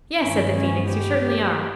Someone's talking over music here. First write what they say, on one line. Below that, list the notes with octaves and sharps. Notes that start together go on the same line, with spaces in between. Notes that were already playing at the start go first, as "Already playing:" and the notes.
'Yes,' said the Phoenix, 'you certainly are.
G2 D#3 G#3 B3 C#4
C#4
G4